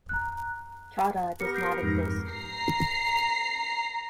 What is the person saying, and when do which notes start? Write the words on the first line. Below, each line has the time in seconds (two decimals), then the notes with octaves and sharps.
Chada does not exist.
0.09 A#5 F#6
1.40 B3 G4 A#4 C#7
1.55 G6 C7 D7
1.82 F2 G#2
2.28 A#5 C7